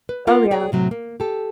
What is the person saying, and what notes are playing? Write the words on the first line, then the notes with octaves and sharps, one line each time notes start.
Oh, yeah.
B4
B3 F4 A#4 F#5
G#4 C#5 D5 G5
A2 C3 F#3 A3
A#3
G4 A4